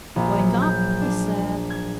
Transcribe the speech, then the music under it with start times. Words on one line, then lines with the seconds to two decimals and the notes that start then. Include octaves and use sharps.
"Wake up!" he said.
0.16 A#1
0.39 F#3
0.62 G6
1.02 D4
1.70 G#6